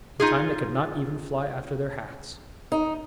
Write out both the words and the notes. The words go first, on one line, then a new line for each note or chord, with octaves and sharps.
In time they could not even fly after their hats.
D#4 F4 G#4
D#4